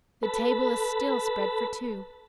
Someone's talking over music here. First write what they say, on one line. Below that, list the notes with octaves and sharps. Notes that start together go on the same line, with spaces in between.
The table is still spread for two.
A4 B4 A5 B5